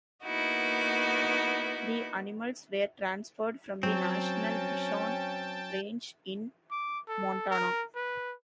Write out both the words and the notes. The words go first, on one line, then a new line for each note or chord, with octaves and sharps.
The animals were transferred from the National Bison Range in Montana.
A#3 B3 D#4 E4 F#4
F#3 C4 C#4 G5 A5
D6
A4
A#4
B4